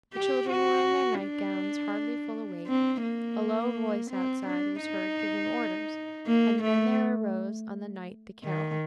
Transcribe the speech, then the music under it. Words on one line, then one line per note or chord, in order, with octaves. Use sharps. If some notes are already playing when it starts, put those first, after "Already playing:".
The children were in their nightgowns, hardly fully awake; a low voice outside was heard giving orders; and then there arose on the night the carol.
G4
F#4
D4
C4
A#3
C4
D4
D#4
A#3
A3
D#3